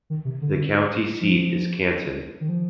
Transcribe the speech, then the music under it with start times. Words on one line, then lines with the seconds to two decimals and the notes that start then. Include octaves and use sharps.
The county seat is Canton.
0.10 D#3
0.25 C3
0.41 D3
1.21 F3
2.41 D#3
2.49 F3